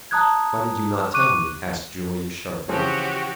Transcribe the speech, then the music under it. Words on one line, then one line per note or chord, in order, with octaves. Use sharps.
"Why did you not tell me?" asked Julius, sharply.
A5 A#5 D#6 F#6 G#6
C#6 D6 F#6 D#7
C#3 E3 F3 F#4 G4 C#5